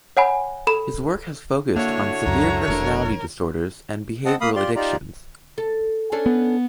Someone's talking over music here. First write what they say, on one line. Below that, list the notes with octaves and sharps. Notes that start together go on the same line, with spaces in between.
His work has focused on severe personality disorders and behavioral addictions.
C#5 F#5 G#5 B5
A4 B5 E7
D3 A#3 E4 F#4 C#5
C#2 F#2 A#5
F1 B2 D4 A#4
C4 D#5 F#5 A5
A#3 F5 B5 D#6
F4 G4 D5 C6
D#4 F4 G4 D5 A#5
A4
C#4 D4 A4
B3